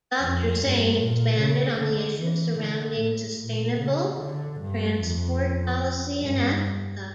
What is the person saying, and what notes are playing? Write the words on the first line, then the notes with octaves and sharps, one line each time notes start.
Doctor Sane expanded on the issues surrounding Sustainable Transport Policy in Africa.
F2
G2
A#2
C#3
D3
E3
D3
A2
A#2
C#3
D3
G2
F2
G2